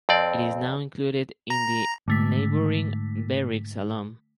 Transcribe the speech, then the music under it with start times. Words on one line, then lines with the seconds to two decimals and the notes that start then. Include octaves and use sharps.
It is now included in the neighbouring Berrick Salome.
0.09 F2 C4 D5
1.50 A#5
2.08 G#2 D3 A3 B6